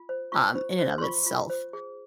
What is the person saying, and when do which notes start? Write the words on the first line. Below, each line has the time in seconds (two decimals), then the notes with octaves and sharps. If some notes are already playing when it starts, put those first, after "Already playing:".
um, in and of itself.
Already playing: F4
0.09 C5
0.32 F4 C#6
0.55 C5
0.79 C5
0.98 C6
1.02 F4 C#6
1.26 F4
1.50 C5
1.73 G#4